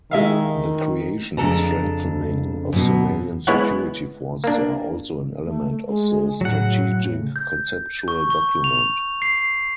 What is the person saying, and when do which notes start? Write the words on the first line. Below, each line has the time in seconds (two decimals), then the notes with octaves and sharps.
The creation and strengthening of Somalian security forces are also an element of the strategic conceptual document.
0.11 D#3 G#3 E5 F5
1.37 F2 C#3 D4 A4 A5 A#5
2.73 F#2 B2
3.47 G#3 B3 E4 C#5 F#5
4.44 A#3 D4
5.45 A3
5.87 G#3
6.41 A2 C#3 F#3 F#5
7.36 G6
8.08 C#6
8.30 C#6
8.64 F7
9.22 C7